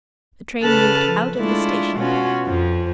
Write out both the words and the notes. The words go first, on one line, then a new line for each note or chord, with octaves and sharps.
The train moved out of the station.
C#3 A4 B4 A5 F6 F#6
F3
G#3 A3 D4 E4 F4
B2 C#4 F4 F#4
F2 F3